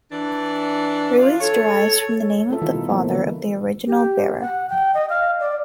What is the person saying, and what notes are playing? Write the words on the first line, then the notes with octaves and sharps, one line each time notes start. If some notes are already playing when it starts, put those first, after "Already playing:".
Ruiz derives from the name of the father of the original bearer.
E3 D4
F4
A4 C#5
A3 E4 F4 A4 E5
D#3 E3 G3 D#4 F4
B2
F3 A3 A#3
D3 E3 F#3 B4
G4
F#5
G5
D#5
F5
D5